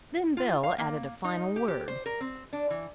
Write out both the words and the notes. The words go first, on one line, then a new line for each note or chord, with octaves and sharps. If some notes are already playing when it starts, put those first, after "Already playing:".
Then Belle added a final word.
F4
F5
A#3
D#4
G4
G4
C5
A#4
C4
D4
E3